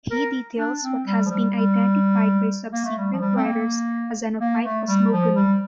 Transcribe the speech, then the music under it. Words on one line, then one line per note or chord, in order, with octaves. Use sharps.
He details what has been identified by subsequent writers as an Ophite cosmogony.
A#4
D4
C4
G3
F3
G3
G3
A#3
A3
G3
F3
G3
C4
A#3
A#3
A3
G3
F3
G3